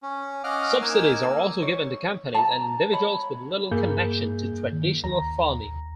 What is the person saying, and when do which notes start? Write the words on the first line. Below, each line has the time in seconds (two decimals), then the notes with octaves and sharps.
Subsidies are also given to companies and individuals with little connection to traditional farming.
0.03 C#4
0.44 C#4 D#5 F5 F#5 D6 F6
0.82 A#3 D#4 G#5 E6
1.62 C#5
2.34 A5 A#5
2.93 C#5 B5
3.71 G2 A#3 G#4 G6
4.72 D#3
5.04 D#2 A#5